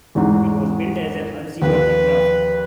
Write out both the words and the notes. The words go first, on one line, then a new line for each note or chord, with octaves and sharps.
It was billed as an unseaworthy craft.
A1 E2 G#2
D#2 F3 B4